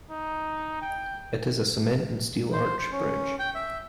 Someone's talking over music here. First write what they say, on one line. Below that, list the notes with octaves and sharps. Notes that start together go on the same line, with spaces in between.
It is a cement and steel arch bridge.
D#4
G5
C5
C5
C#4
G5
E5